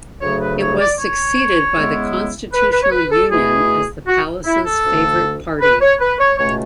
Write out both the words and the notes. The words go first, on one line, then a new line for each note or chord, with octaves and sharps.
It was succeeded by the Constitutional Union as the palace's favourite party.
D2 C#3 F#3 A3 C#5
B4
C#5
D5
C#5
C#3 G#3 B3 E4
B4
B4
C#5
B4
A4
B2 A3 E4 G#4
F#4
E4
A4
D2 D3 A3
B4
C#5
B4
C#5
C#2 B2 A3 C#5